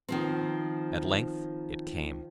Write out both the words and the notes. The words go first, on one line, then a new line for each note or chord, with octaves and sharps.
At length it came.
D#3 F3 C4